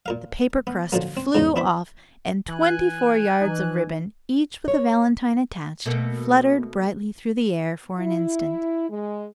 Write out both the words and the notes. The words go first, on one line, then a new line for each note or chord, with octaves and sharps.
The paper crust flew off, and twenty-four yards of ribbon, each with a valentine attached, fluttered brightly through the air for an instant.
A#2 A#4 F5
B3
D3 F3 F#3 A#3
C4
E2 G#2 C#3
B3 D4 E4 C5 B5
E3 G#5 F#6
E3 D#4
C#5
B2 A3 A#3
E4
G#3